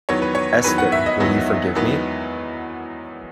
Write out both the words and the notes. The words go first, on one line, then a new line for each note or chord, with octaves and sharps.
Esther, will you forgive me?
E2 D#3 F#3 B3 C#5
B4
C#5
E2 D#3 F#3 B3 B4
F#5
E5
D#5
E2 D#3 F#3 B3
E2 D#3 F#3 B3